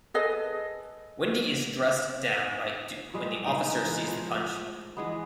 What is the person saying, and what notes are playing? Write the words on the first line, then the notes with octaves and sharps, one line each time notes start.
Windy is dressed down by Duke when the officer sees the punch.
G#4 A4 B4 D#5
A#2 G3 G#3
G#3 D#4
E3
F3 C5
E3 G#3 B3